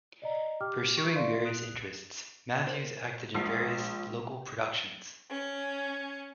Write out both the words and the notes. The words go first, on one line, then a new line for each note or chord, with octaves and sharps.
Pursuing various interests, Matthews acted in various local productions.
D5 D#5 A#5
G4 G5 D6 F6
C#6
D5 E5 F5 C6
D#6 F#6 D7
A#4 C5 C#5
A#1 G#3 C7
C#4